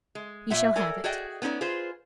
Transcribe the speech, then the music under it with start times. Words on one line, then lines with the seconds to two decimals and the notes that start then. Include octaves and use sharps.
"You shall have it."
0.15 G#3
0.50 A#2 E5 F#5
0.76 A4 A#4 D5 G#5
1.04 F#4 G#4 D5 D#5 G5
1.42 B3 C#4 D#4 B4 D5
1.61 F4 G#4 B4 C5